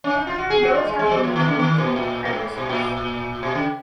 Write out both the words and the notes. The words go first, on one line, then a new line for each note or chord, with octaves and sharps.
Both have remained in print ever since.
C#4
D#4
F4
F#4
G#4
F#4
F4
G#3
G#3
F#3
F3
D#3
C#3
D#3
A#2
B2
A#2
A#2
G#2
B2
A#2
B2
C#3